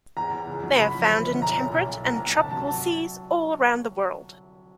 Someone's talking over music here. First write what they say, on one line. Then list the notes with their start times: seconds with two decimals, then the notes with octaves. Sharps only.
They are found in temperate and tropical seas all around the world.
0.17 E2 A#5
0.32 E2
0.47 C#2
0.64 F#3
0.78 F#1 B5
0.95 F3
1.10 G1
1.26 G1
1.42 B1 A#5
1.57 B1
1.72 B1
1.88 B1
2.04 C2 A#5
2.20 C2
2.35 G1 A5
2.51 F#3 A5
2.67 A5